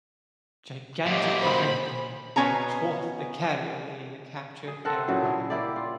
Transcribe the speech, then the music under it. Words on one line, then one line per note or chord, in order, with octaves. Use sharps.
Gigantic behind them, athwart the carrier lay the captured aeropile.
F#2 A#2 G4 D#5
C5 B5
B2 B3 C#4 G#5 A#5
G#4
C4 A4 A#4 F#5
A#2 C#3 E3 F#3
E4 G#4 C#5
A#3 E4 G4 D5
F4